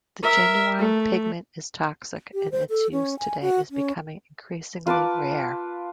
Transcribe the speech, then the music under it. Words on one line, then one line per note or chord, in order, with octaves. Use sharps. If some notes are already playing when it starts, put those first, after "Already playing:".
The genuine pigment is toxic, and its use today is becoming increasingly rare.
A#4 E5
A3
G4
C5
A4
C#4
G#5
F#4
C#4
F4 B4 A5 D6